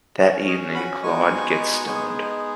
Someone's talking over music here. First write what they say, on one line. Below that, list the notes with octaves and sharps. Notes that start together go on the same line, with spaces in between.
That evening, Claude gets stoned.
C#4 F#4 D#5 G#5
D#5 G#5
F#5 B5
G#3 B3 D#4 F#4 G#5 C#6
G#3 B3 D#4 G#4